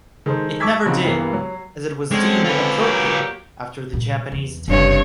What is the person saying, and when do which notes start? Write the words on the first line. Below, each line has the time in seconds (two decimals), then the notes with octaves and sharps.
It never did, as it was deemed inappropriate after the Japanese attack.
0.26 D#3 G#3 G#4 A4 C5
0.60 A5 C#6 D6 E6 G#6 B6
0.86 A#2 C#3 F3 C4 D#4 F#4
1.03 C2 G2 E3 A#3 B3 C7
1.33 F#3
2.11 D3 G#3 C4 C#4
2.45 F4 B4
2.80 F#3 A#3 G4
3.93 A#2 G3
4.32 E2
4.68 F#1 G2 C3 C#5